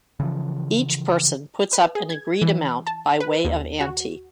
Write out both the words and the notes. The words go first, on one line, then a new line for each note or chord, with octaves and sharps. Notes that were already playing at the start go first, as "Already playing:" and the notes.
Each person puts up an agreed amount by way of ante.
C#3 E3 F3
B4
G#4
G#6
E3
A5
B4
D#2
F#4